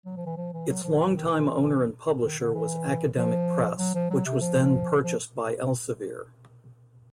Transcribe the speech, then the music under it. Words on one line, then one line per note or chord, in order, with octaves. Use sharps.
Its longtime owner and publisher was Academic Press, which was then purchased by Elsevier.
F#3
F3
E3
F3
E3
F#3
F3
E3
D#3
E3
D#3
D3
E3
F3
F#3
F3
F#3
C3
F3
F3